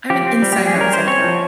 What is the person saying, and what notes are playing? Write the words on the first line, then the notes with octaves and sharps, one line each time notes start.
I'm an inside outside girl,
F3 G4
C4
G3
G4
G3
G#4
C#4
A#4
C#4 C5
C4 C#5
F3